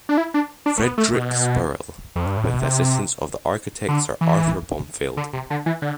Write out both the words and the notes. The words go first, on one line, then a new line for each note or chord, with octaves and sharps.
Frederick Spurrell, with the assistance of the architect Sir Arthur Blomfield.
D4
E4
D4
D4
A3
B3
A3
B2
F2
G2
A2
B2
C3
D3
E3
D3
C3
D3
E3
D3